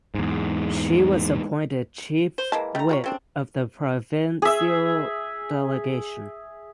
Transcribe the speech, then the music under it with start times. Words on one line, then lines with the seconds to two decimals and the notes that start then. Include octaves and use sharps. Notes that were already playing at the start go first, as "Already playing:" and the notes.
She was appointed chief whip of the provincial delegation.
0.14 E2 G#2
2.38 C5
2.52 E3 G#3 A#3 A5
2.75 D#3 G3 A3 A#5
2.89 F4 G#4 C#5
3.04 C#3 C4 D4
4.42 G#4 E5